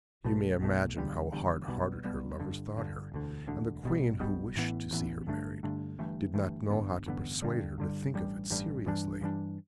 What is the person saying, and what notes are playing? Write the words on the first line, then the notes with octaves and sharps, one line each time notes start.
You may imagine how hard-hearted her lovers thought her; and the Queen, who wished to see her married, did not know how to persuade her to think of it seriously.
B1 B2 A3
B1 B2 A3
E1 E2 D3 G3
E1 E2 D3 G3
B1 B2 G3 B3
B1 B2 G3 B3
G1 G2 D3
G1 G2 D3
E1 D2 D3
E1 D2 D3
B1 B2 G3
B1 B2 G3
A1 A2 E3 B3
A1 A2 E3 B3
G2 D3 A3 D4
G2 D3 A3 D4
G1 G2 E3 A3
G1 G2 E3 A3
A1 G2 D3 B3
A1 G2 D3 B3
G2 D3 G3
G2 D3 G3
A1 G2 G3
A1 G2 G3
G2 E3 G3 D4
G2 E3 G3 D4